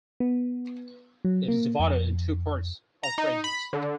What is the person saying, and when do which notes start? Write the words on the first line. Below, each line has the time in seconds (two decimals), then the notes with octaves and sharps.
It is divided in two parts or phrases.
0.20 B3
1.25 F#3
1.48 A#3
1.80 F2
3.03 A#5
3.18 D#4
3.44 B5
3.73 D3